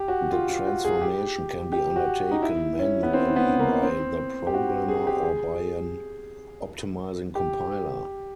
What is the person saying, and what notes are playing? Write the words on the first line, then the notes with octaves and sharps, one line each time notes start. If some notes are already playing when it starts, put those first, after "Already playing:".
The transformation can be undertaken manually by the programmer or by an optimizing compiler.
Already playing: G4
F#4
F4
F4
F#4
G#4
G4
G4
F#4
D#4
E4
C#4
B3
C4
B3
A#3
C4
G4
F#4
G#4
G4
G#4
G4